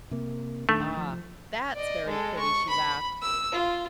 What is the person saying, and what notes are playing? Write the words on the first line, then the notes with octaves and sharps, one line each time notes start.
"Ah, that's very pretty!" she laughed.
C3 A#3
D#1 D#3 A3 D4
F3
D5 D#5
G#3 A4
C#6
B5
E6
F4